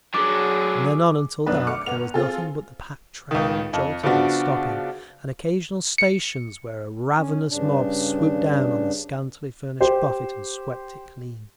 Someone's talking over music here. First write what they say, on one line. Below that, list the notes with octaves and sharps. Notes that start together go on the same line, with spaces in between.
From then on until dark there was nothing but the packed train, jolting and stopping, and occasional stations where a ravenous mob swooped down on the scantily-furnished buffet and swept it clean....
F#3 D4 G#4 D6
F#2 B2 D4 B4
A3 D6 F6 C#7
G1 B3 F7
C4 F4 G#4 A4
C#2 D#3
F2
C#3 F3 B3 D4 F#4
C#7
C#4
G2 C#3 D4
G4 C5